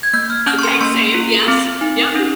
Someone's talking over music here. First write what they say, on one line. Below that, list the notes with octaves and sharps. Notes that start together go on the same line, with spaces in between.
Okay, same, yes. Yup.
G#6
A#3 G6
F6
C#4 G6
C#6
C6
A#3 C#6
F4
C4
D#4
C#4